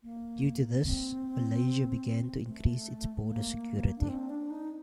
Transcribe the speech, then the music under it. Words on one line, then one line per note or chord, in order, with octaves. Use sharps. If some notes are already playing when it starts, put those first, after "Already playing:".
Due to this, Malaysia began to increase its border security.
A#3
C4
A3
A#3
D4
C4
D4
D#4